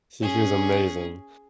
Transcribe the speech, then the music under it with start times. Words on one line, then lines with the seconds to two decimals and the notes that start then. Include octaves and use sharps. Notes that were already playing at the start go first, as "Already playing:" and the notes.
Sushi is amazing,
0.22 C#4 G#4